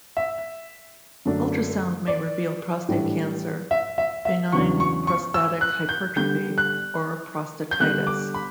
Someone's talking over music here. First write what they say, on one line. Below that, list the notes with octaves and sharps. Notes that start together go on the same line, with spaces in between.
Ultrasound may reveal prostate cancer, benign prostatic hypertrophy, or prostatitis.
E5
F#2 D3 A3 D4
D5
A2 E3 G3 D4
E5
E5
E5
E2 C#3 F#3 B3 D4 C#6
C#6
C#6
E6
F#6
G6
D3 G3 B3 D4 G6
F#6
G6
D3 G3 B3 D4 F#6
D6
B5